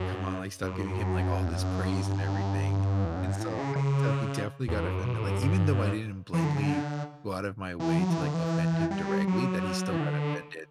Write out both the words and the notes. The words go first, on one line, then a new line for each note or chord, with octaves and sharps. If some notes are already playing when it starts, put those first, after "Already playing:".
"Come on, like, stop giving him, like, all this praise and everything." And so I can tell he definitely got offended, like, even though I didn't blatantly go out of my way to, like, offend him directly, that he still got offended
Already playing: F#2
F#2
E2
F#2
G2
E2
F#2
G2
A2
C#3
C#3
E2
F#2
B2
A2
G2
G2
E3
D3
C#3
D3
E3
F#3
E3
D3
E3
G3
F#3
E3
D3